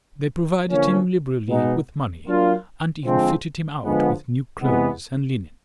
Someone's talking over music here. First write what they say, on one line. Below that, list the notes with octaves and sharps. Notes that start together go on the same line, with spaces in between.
They provided him liberally with money and even fitted him out with new clothes and linen.
D3 F3 A#3 C#4
B2 G#3 B3 D#4
F#3 A#3 D4 F4
D3 F3 G#3 C4
D3 F3 G#3 B3
C3 E3 G#3 B3